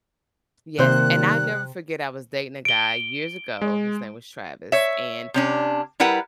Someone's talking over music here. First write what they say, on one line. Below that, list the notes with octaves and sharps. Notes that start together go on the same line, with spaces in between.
Yes, and I will never forget, I was dating a guy, years ago, his name was Travis, and,
C3 D#3 G3 A#3 C5 F#6
D7 G7
G#3
C#5 E5
C3 C#4 D4
G3 E4 A#4 B4 F#5